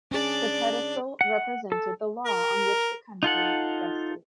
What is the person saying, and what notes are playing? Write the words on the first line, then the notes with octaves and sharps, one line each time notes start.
The pedestal represented the law on which the country rested.
C#4 D4 G#4 D5
F#5
A4
A#4
D#4 F4 A4 F#5